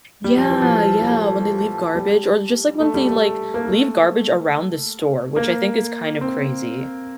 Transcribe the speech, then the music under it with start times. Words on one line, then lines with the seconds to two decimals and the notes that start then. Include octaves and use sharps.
Yeah, yeah, when they leave garbage, or just like when they, like, leave garbage around the store, which I think is kind of crazy.
0.24 G3
0.37 F3
0.50 E3
0.62 F3
1.02 G3
1.09 A3
1.95 G3
2.80 A3
2.94 G3
3.08 A3
3.54 A#3
3.66 A3
5.36 A#3
6.21 C4